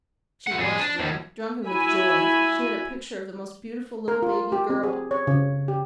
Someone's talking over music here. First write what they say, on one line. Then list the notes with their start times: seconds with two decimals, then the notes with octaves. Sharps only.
She WAS drunk, drunken with joy. She had a picture of the most beautiful little baby girl.
0.47 A3 F#5
0.58 F2 G#4
0.80 D4
0.99 D#2
1.67 E4 F#4 E5 G#5 B5
4.08 A#4
4.22 F4
4.52 G4
4.70 C4
4.83 G#4
5.11 C#5
5.27 C#3
5.68 G4